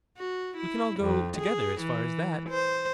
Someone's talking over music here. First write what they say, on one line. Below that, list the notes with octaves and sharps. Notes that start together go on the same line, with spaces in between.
We can all go together as far as that.
F#4
E4
F2
G#4
E3
C5